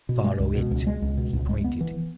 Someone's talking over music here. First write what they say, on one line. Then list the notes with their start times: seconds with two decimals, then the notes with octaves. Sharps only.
"Follow it." He pointed.
0.09 B2
0.24 G#3
0.40 C#2
0.55 B2
0.71 C#2
0.87 G#3
1.02 C#2
1.17 B2
1.33 C#2
1.49 G#3
1.64 B3
1.81 E3